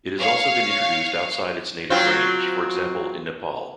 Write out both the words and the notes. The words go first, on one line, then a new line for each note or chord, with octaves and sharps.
It has also been introduced outside its native range, for example in Nepal.
C#5 F5
F#3 C4 F4